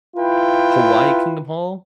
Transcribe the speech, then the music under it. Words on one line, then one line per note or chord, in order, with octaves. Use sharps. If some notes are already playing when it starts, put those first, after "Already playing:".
Hawaii Kingdom Hall?
E4 F4 B4 G5